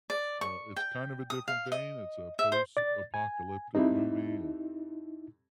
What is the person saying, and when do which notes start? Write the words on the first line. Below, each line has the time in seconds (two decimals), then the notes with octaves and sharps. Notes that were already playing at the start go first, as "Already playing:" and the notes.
uh it's kind of a different vein. It's a post-apocalyptic movie and,
0.10 D5
0.41 C#6
0.76 G5
1.30 D#6
1.48 F5
1.72 D#5
2.39 E5
2.52 C5
2.77 D5 A6
3.14 G#5
3.75 F2 G3 C4 D#4 E4